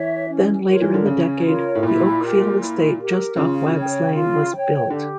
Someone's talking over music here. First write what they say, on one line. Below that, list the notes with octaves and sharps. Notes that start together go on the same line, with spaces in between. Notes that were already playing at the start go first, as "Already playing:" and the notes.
Then later in the decade the Oakfield Estate just off Whaggs Lane was built.
Already playing: E3 C#5 E5
C#4
F4 A#4 C#5
E3
D3
C#3 C#4
F4 A#4 C#5
A2
A#2 E4
G4 A#4
E4
G4 A#4
C#3 F4
C#5 G5
F4
C#5 G5
D3 G4